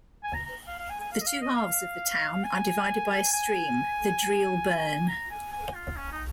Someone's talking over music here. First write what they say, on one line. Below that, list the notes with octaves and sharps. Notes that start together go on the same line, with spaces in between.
The two halves of the town are divided by a stream, the Dreel Burn.
G#5
A#5
A#5
F5
F5
G#5
G#5
F5
D#5
F5
D#5
F5
F5
G#5
G#5
A#5
G#5
G#5
F4
C#4
D#4